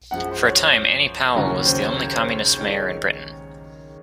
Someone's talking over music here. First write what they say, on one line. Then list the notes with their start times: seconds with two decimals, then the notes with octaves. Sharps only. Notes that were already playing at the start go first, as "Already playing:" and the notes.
For a time, Annie Powell was the only Communist mayor in Britain.
0.11 F#2 F3 G#3 F#5
0.32 C5
0.42 C#5
1.35 D#2 C#3 F#3
1.65 C5
1.80 C#5
1.96 C#5
2.11 C5
2.58 D#3 G#3 C#5